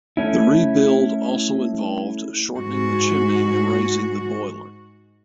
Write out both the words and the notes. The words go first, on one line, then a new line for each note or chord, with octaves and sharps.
The rebuild also involved shortening the chimney and raising the boiler.
A3 C#4 E4
G#2 F#4